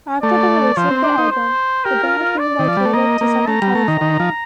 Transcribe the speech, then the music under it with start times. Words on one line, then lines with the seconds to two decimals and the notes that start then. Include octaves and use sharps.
After the release of the album, the band relocated to Southern California.
0.23 A3 D5
0.77 F3 C5
0.91 C4
1.04 D4
1.18 D#4
1.31 C5
1.85 G4 A#4
2.03 F4
2.21 F4
2.39 D5
2.59 D#3
2.68 F3
2.77 G3
2.85 A3
2.94 A#3 D#5
3.21 A#3
3.47 A3 A#5
3.62 G3
3.75 A3
3.88 D#3
4.01 D#3
4.20 F3